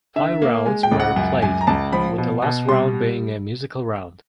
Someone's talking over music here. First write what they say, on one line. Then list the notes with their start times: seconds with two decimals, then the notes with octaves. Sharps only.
Five rounds were played, with the last round being a musical round.
0.16 D3 E5
0.42 A#3
0.66 G#3 G#5
0.83 G5
0.91 C#2
1.00 F#5
1.16 F#2 F#5
1.42 F#2 G#5
1.61 A#5
1.67 C#2 A5
1.93 F3 B5
2.18 B2
2.42 B2
2.69 G3 C6